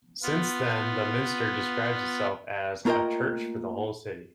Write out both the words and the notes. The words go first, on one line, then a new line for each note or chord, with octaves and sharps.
Since then the Minster describes itself as "A church for the whole City".
B3 F4
A3 A#3 F4 A#4 D#5 G5